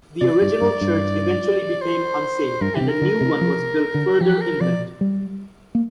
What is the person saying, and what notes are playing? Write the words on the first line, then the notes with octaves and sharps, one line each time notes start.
The original church eventually became unsafe and a new one was built further inland.
C3 D5
G2
G2
G2
C5
G2 A#4
D3 G4
C3
A#4
D3
C3
F3
D3
F3 G4
A#4
F3 D5
G3
A#3